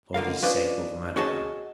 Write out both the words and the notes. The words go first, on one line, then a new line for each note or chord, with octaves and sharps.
For the sake of Madame.
C#2 D3 A#4 F5
F3 C#4 D4 B4 D5 D#5
C#4 F#4 G#4 D#5 A5